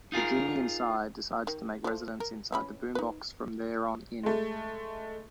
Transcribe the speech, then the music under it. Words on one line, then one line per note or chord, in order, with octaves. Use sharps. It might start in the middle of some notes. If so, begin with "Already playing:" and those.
The genie inside decides to make residence inside the boombox from there on in.
D#4 F4 G#4 A#4
D#3
F3 A3
A#4
E3 C#4 B5
D#4 B4
G#3 A3